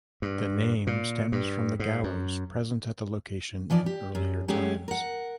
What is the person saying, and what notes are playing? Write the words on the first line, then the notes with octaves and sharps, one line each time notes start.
The name stems from the gallows present at the location in earlier times.
G2
A#2
G2
G#2
F#2
E3 F3 D#4 D5
G4
F#2
F#3 G#3 A3 C#4 G4 G#4
A#4 F#5